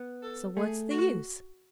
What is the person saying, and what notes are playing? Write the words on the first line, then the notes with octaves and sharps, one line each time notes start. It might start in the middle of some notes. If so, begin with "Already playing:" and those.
So what's the use?
Already playing: B3
A4
A3 G#4
F#4